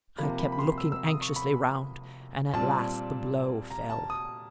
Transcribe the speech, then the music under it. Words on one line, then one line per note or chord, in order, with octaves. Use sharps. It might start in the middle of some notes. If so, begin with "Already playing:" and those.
I kept looking anxiously round and at last the blow fell!
C3 F3 A#3 B5
B5
B5
C6
E6
E6
D#6
C#6
B5
A#2 G3 C4 A5
A#5
A5
D#6